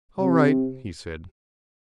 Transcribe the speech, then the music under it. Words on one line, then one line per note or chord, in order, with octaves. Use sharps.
"All right," he said.
C3